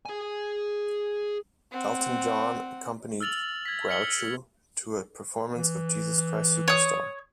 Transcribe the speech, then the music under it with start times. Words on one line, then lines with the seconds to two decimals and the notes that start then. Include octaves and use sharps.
Elton John accompanied Groucho to a performance of "Jesus Christ Superstar".
0.05 G#4 G#5
1.72 C4 F#5
3.21 E6 F6 A6 F7 F#7
3.65 G#6 B6
3.88 F6 B6 C#7 F#7 G7
5.54 E3
6.68 C#5 D#6